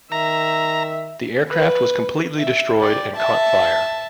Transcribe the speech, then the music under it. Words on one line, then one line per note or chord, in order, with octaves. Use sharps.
The aircraft was completely destroyed and caught fire.
D#3 E5 A#5
B4
E5
G4 D5
E5 A5